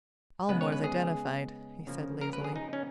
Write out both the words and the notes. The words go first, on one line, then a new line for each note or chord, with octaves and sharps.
"Aylmore's identified," he said lazily.
C#3 G#3 B3 B4
C#5
B4
G#4
C#3 F3 A#3
A#4
B4
G#4
D#4
C#4